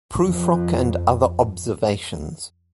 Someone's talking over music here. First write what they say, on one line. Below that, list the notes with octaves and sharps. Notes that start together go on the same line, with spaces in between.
"Prufrock and other observations".
F2